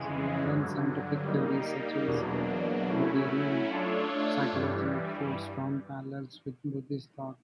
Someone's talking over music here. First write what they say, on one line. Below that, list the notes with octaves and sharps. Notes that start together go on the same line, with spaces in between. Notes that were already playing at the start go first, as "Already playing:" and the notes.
Some modern scientific theories, such as Rogerian psychology, show strong parallels with Buddhist thought.
Already playing: F2 C#3 E3 G#3
G2 D3 F#3
G3 A#3 D#4
E2 B2 F#3 A#3 D4
F#3 A3 C#4 E4
A3 D4 F4 A4 C#5
G2 E3 G3